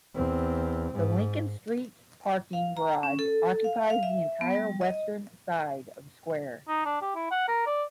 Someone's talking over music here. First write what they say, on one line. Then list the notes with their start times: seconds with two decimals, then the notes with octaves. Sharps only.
The Lincoln Street Parking Garage occupies the entire western side of the square.
0.14 E2 C4
0.93 G#2
2.53 F5
2.77 A#5
3.03 C#4
3.19 A4
3.64 F5
3.90 F5
4.03 E5
4.41 B3
4.55 G3
4.81 D#5
6.68 D#4
6.85 D4
7.02 G4
7.15 E4
7.31 F#5
7.48 A#4
7.67 D5